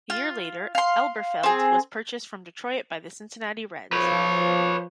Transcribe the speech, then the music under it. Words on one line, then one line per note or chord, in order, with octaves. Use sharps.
A year later, Elberfeld was purchased from Detroit by the Cincinnati Reds.
F4
F5 C6
C4 G#4
F3 B4 C#5